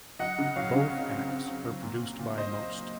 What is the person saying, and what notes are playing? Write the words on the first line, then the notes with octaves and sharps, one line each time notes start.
Both acts were produced by Most.
F#3 D#5 F#5
C#3
F#3 C#5 F5
C#3
C4
C4
C4
C4
F#3
A#2
A#2
A#2
A#2 C5 D#5